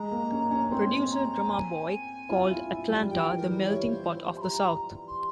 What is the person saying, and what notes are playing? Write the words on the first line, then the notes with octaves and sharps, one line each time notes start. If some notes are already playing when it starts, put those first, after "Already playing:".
Producer Drumma Boy called Atlanta "the melting pot of the South".
Already playing: G#3 A#5
A#3
C#4
C#4
C4 C6
A#5
G#5
F4
E4
E4
G3
F3 G5
E3
A#4
G3
C#5
E4
F4 C5
C5
C6
A#5
C6